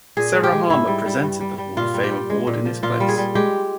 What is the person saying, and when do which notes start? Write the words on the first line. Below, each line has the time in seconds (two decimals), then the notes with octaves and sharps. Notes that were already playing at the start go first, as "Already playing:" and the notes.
Sarah Harmer presented the Hall of Fame award in his place.
0.17 A#2 G#4
0.35 G#3
0.44 G4
0.52 G#3
0.70 G#2 E4
0.87 G3
1.05 G3
1.23 G2
1.40 G3
1.58 G3
1.77 A#2 F4
1.94 G3
2.04 G4
2.11 G3
2.30 G#3
2.47 A#2
2.65 F3
2.83 A#2 F4
3.00 G3
3.09 G#4
3.18 G3
3.35 G#3 G4